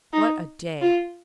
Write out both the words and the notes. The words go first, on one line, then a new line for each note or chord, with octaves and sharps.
What a day!
D#4
F4